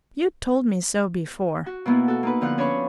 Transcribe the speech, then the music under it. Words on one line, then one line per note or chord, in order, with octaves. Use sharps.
"You told me so before."
F#4
B2 A#3 B3 E4
F#4 A4
A#3 D#4 B4
D3 F3 F#5 F#6
C#4 D4 B4 C#5 B5 C#6